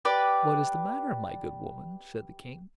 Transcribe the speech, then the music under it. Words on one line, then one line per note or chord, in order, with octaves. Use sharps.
"What is the matter, my good woman?" said the King.
G4 B4 D5